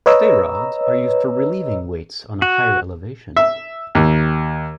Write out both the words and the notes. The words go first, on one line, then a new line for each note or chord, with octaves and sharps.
Stay rods are used for relieving weights on a higher elevation.
B4 C#5 D#5 A#5 E6
F#4
E5
D#2